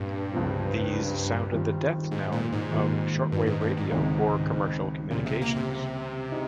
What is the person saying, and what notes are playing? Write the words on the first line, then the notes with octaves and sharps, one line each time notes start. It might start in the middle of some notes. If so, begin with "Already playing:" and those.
These sounded the death knell of shortwave radio for commercial communications.
Already playing: C2 G2 A#2 C#4
C#2 C3 F3 C4
D#3 G3 C4 F4
G#2
A#2
G#2
D#2 D#3 G3 A#3 F4
G2
G#2
G2
G#2
C#2 C3 D#3
C#2 A#2 C#3 G3
C3
A#3
C3
D#4 G#4